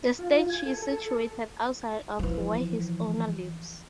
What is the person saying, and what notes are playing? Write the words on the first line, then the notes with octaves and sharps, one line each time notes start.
The statue is situated outside of where his owner lives.
F4
G#5
A4
A4
E3 F3